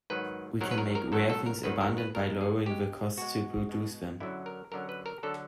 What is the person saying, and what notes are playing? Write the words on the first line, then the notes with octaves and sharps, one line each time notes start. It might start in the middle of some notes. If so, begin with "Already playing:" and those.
We can make rare things abundant by lowering the costs to produce them.
G#2 D#3 F#3 B4
G#2 D#3 F#3 A#4
B4
A#4
A#4
G#2 D#3 F#3 A4
A4
A#4
G#2 D#3 F#3 B4
A#4
B4
B2 G#3 A#4
G#4
B2 G#3 G4
B2 G#3 F#4
B2 G#3
F#2 D3 F#3 E4
A#4
F#2 D3 F#3 A#4
B4
A#4
D3 F#3 A4